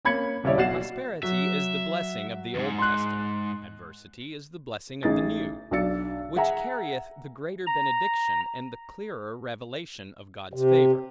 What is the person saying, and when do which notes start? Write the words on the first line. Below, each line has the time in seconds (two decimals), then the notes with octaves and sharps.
Prosperity is the blessing of the Old Testament; adversity is the blessing of the New; which carrieth the greater benediction, and the clearer revelation of God's favor.
0.05 A#3 C#4 B5 G#6 C#7
0.44 D#1 C#3 G3 E4 C#5 D5
0.57 B1 F#4 F#5 A6 C7 E7
1.23 F#3 E5
2.55 E2 G#2
2.79 C6 F#6
5.03 A1 C#4 D#4 G#4 A6
5.71 B1 F#3 D4 E6 A6 C#7
6.36 G#4 E5 F#5 G#5 A#5
7.67 A#5
10.53 C3